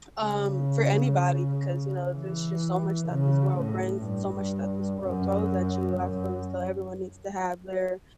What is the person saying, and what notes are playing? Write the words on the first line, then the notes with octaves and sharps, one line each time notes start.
um, for anybody, because, you know, there's just so much that this world brings and so much that this world throws at you, I feel as though everyone needs to have their
C#3
E3
C#3
A2
G2
F#2
F#2